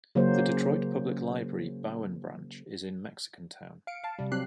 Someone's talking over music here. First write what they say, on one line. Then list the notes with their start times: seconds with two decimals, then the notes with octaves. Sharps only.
The Detroit Public Library Bowen Branch is in Mexicantown.
0.15 C#3 F#3 A#3 C#4 C5
3.87 F5 C#7 D7
4.04 F5 A5
4.18 C3 G3
4.32 F#3 C4 G4 F#6 C7